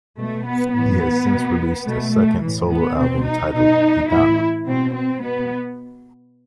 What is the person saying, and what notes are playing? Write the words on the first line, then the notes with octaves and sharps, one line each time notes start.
He has since released a second solo album titled "Gitano".
B2 A3
B3
A2 E3 B3
B2
B2 A3
A3
A2 E3
B3
B2 C4
D#4
B2 D#4
A2 E3 E4
B2 C4
C4
B2 B3